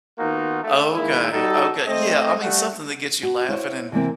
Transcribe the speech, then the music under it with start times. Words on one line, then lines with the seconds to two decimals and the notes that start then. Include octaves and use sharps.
Okay, okay yeah, I mean, something that gets you laughing and,
0.19 D#3 A#3 B3 D#4 F4 F#4
0.63 A3
0.95 D#3 G#3 A#3 E4
1.33 G3 D#4 F#4 A4
1.87 A3 C4 C5 D#5
2.42 G3 A3 F#4
3.23 F#4
3.49 E4 C5 C#5
3.92 C3 E3 A#3 C4